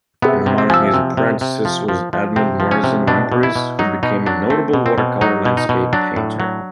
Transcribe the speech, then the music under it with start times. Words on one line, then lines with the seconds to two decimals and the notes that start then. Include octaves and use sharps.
Amongst his apprentices was Edmund Morison Wimperis, who became a notable watercolour landscape painter.
0.22 C3 B3
0.46 C3
0.58 C4
0.70 F3
0.94 C3
1.17 C3
1.41 C3
1.65 F3
1.88 F3
2.13 F3
2.36 C3 C4
2.60 F3
2.71 C#4
2.84 C3
3.07 B2 D4
3.32 B2
3.43 E4
3.56 B2
3.79 F#3 D#4
4.03 B2 D#4
4.26 F#3 D4
4.50 A3 C4
4.73 B2
4.86 C4
4.98 B2
5.21 F#3 D#4
5.45 B2
5.57 D#4
5.69 B2
5.93 F#3 D4
6.16 A2
6.40 F#3